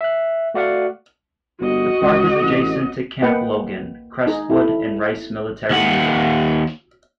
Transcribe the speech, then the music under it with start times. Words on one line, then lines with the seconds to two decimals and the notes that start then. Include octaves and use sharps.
The park is adjacent to the Camp Logan, Crestwood, and Rice Military neighborhoods.
0.01 E5 F#6
0.54 A3 F#4 D5 F5 F#5
1.60 G1 F#4 D#5
2.01 C#2
2.42 A1
3.22 A#3 B4 D#5 F#5 G5
4.27 D#4 G#4 A#5
4.50 E4 A4
5.70 D#2 F#5